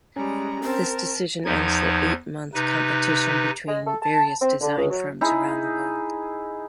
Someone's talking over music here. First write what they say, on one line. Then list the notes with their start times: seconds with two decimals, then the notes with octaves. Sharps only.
This decision ends the eight-month competition between various design firms around the world.
0.16 G3 G#3 C#4 A#5
0.64 C4 A#4 A5
1.45 E2 F3 D#4 G#6
2.54 C3 D#4 B4
3.68 G#3
3.86 A4
4.01 A5
4.41 C4
4.61 D3
4.77 C#2
4.89 F#3
5.21 D#4 E4 G#4